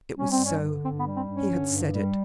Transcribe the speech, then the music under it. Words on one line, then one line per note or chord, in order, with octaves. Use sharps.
It was so; he had said it.
G3 C#4
C4
G2
C#4
D3
G2 C4
B3
G3
C4
G2
C#4
D3
G2
G3